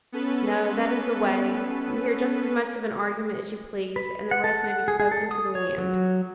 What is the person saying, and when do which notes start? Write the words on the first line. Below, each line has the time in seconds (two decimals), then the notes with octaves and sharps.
'No; that is the way: you hear just as much of an argument as you please; and the rest may be spoken to the wind.'
0.12 B3 C#4 A4 B4
3.96 B4
4.31 F#5
4.44 A4
4.64 F#5
4.88 G#4
5.00 G#4
5.11 A4
5.31 D#6
5.55 C#5
5.78 F#3